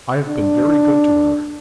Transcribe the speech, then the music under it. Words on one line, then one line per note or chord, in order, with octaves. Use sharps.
I have been very good to her.
D4